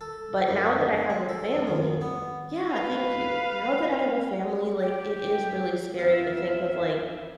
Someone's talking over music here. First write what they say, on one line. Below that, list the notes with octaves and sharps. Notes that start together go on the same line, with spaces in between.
But now that I have a family Yeah, thank you. Now that I have a family, like, it is really scary to think of, like
A4
F#2
G#3
A4
F2
D#3
B3
B4 F5
G4
F2 B3 E5 F5